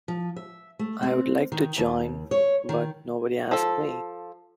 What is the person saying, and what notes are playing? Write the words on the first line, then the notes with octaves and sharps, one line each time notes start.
I'd like to join but nobody asked me.
F3
E5
A3
C4
D#3
D#2
C#5
D#3
F3 A4